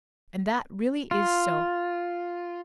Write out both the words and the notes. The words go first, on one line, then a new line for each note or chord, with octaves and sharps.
And that really is so.
F4